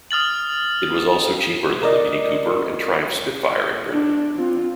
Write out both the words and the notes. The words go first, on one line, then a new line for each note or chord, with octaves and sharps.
It was also cheaper than the Mini Cooper and Triumph Spitfire, in Britain.
D#6 F6 A6 F#7
A#4 D5 D#5
D4
C4 F4